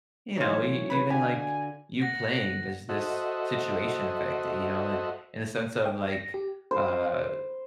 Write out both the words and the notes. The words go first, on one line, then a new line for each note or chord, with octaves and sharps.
you know, e even, like, you playing, does this situation affect it, you know, and in a sense of, like, uh,
E3 F#3 A3 D#4 F4 C#5
B4 B5
D3 F#4 G4 F5 G#5
F#5 A#6
F#4 A4 C5 D#5 E5 F#5
G5
A#6
G4
C5